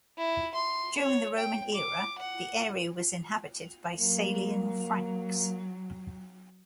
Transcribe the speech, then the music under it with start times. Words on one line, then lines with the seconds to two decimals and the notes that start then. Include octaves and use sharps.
During the Roman era, the area was inhabited by Salian Franks.
0.18 E4
0.55 C6
0.98 C#5
1.37 G5
1.74 D6
2.19 F#5
4.00 F#3 A#3